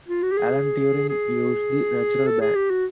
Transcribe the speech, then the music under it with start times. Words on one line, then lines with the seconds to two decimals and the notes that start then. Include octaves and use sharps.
Alan Turing used the "natural ban".
0.08 F4
0.23 F#4
0.32 G4
0.37 G#4
1.09 G#4
2.26 A4
2.41 G#4
2.56 G4
2.70 F#4